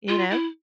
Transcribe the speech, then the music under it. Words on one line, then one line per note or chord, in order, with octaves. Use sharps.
you know.
F4
E4